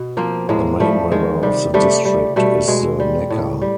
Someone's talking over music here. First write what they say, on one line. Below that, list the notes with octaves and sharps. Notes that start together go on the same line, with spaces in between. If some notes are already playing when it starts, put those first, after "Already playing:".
The main river of the district is the Neckar.
Already playing: B2
F3 A#3 C4
A2 G#3 A#3
F3 G3 A3
D#3 G#3
C3 G3
C3 G3 A3
G3
B2 G3 A3
B2 G#3
G3
A2
G3